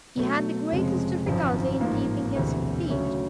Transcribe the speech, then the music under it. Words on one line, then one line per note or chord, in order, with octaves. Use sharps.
He had the greatest difficulty in keeping his feet.
B2 F#3 A3
F1 F2 C#3 F3 G#3
G#1 F#2 C#3 F3
A1 G#2 F3 A#3
E1 D2 C3 E3
D2 C#3 F#3 A3 C#4